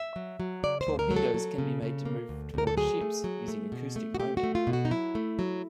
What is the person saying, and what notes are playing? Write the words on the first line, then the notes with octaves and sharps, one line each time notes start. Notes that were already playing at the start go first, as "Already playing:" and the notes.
Torpedoes can be made to move toward ships using acoustic homing.
Already playing: E5
F#3
F#3
C#3 D5
C5
D2
A#4
F#3
A4
F#3
C#3
C#3
A#3
D2
D2 A#4
A4
F#3 G#4
A3
F#3
A3
B2
A3
F#4
A3 G4
F#4
A3
F4
B2
F#4
D#4
F#3 E4
A3
F#3